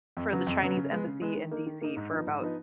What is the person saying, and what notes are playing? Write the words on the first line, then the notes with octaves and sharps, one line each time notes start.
for the Chinese embassy in DC for about
F2
C#3 F#3 B3
F2
C#3 F#3 B3
C#3
G#3 B3
C#3
G#3 B3
D#3
A#3 D#4
D#3
A#3 D#4
G#2
F3 B3 D#4
G#2
F3 B3 D#4